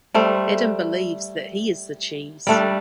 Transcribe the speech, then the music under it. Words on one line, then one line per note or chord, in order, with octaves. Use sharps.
Adam believes that he is the cheese.
G3 A3 C5
G3 A3 D4